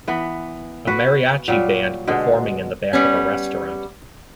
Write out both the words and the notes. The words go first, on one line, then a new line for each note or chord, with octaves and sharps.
A Mariachi band performing in the back of a restaurant.
E3 B3
F#4 B4
A#2 F#3 G3
B2 D3 G#3
G3 B3 C#4